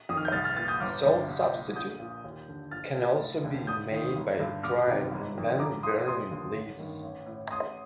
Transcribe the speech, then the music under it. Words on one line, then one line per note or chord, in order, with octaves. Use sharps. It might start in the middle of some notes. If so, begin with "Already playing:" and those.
A salt-substitute can also be made by drying and then burning the leaves.
F2 D#3 D#6 F6
G6
C2 F6 A6
F6 A6
A#2 F6 A6
D#6 G6
G1 D6 F6
G2 D3
C2
A#2
A#1 D#6 G6
A#2
D#2
D3
A#1 F6 A6
A#2
F1
D#2 D3
F1 D#6 G6
D#2 D#3
G1
G2 D3
C2 D6 F6
C3 D#3
G1
F2 D#3
A#1 A#5 D6
A#2 C6 D#6
F1 C6 D#6
D#2 D3
A1
G2 D#3
A1
A2
A1 C6 D#6